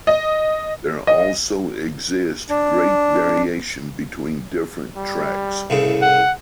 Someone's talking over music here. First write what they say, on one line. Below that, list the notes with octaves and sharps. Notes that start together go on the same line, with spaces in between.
There also exists great variation between different tracks.
D#5
D#5
D4
G3
C2 A2 C#3
F#5